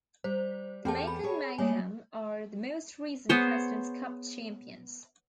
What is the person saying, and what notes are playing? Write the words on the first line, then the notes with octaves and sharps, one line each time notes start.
The Macon Mayhem are the most recent President's Cup champions.
G3 C5
E2 C4 G4 A4 G5 A5
B5
G#4 C#5
G3 A#3 C#5 G#5
B3 G#4 C5 C#5